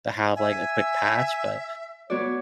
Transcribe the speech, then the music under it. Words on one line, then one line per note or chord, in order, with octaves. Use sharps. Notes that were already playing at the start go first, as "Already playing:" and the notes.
have, like, a quick patch, but
E5 G#5
B3 F#4 C#5 D5